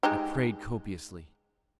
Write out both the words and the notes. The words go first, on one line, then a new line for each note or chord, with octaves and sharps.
I prayed copiously.
G#3 D#4 G4